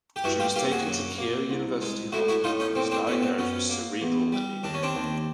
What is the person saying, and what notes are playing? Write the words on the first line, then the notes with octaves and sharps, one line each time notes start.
She was taken to Keio University Hospital and was diagnosed with cerebral anemia.
G4
G2 E4 F#4
F4 G4
A#3 F4 G4
F#4 G#4
F#2
A#3
C2
G#3
A2 E4 F#4
E4 F#4
A2 D#4 F4
C#4 D#4
A#2 C4
C4 D4
B3 C#4
C4
F#2 C#4
A#3
E2
G3
D#2 D4
C#4
C4 D4
D#2